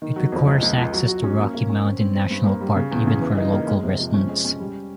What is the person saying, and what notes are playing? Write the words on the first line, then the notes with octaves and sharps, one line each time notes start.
It requires access to Rocky Mountain National Park even for local residents.
D#3
F#3
F2
C#2
C#2
C#2
F#3
F#4
C#4
A#3
A#3
C#4
C4
C4
C4
G2
A#3
G3
C#3
E2
C#3
E3
D#4
A#3
G#3
C3
F2
C#4
G#3
C#4
G3